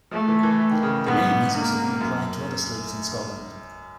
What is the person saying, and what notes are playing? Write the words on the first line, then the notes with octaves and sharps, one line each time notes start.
The name has also been applied to other slopes in Scotland.
F3 A3
E3
E3
D#3
C#3
G#2 B3
A#3
F#2